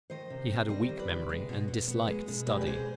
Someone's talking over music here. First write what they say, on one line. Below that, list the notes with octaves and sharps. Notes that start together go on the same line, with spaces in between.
He had a weak memory, and disliked study.
D#3 C5 D#5
C3
C4
G3 C5 D#5
D#3
B4 D5
C3
G#3
B2
B2
B3
G#3
B2
G#3 G4 B4
D5
B2 G#4 C5